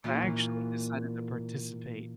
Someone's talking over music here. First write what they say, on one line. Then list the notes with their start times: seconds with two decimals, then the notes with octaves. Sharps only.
but I actually decided to participate
0.04 A#2 E3 C#4 F4